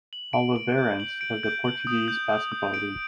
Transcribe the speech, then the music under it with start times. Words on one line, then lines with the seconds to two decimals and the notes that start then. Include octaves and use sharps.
Oliveirense of the Portuguese Basketball League.
0.13 F#7
0.33 D7
0.56 F#7
0.78 G6
1.00 F#7
1.21 D7
1.43 G6
1.65 F#7
1.87 D#6
2.08 G6
2.29 G6
2.52 D#6
2.74 D7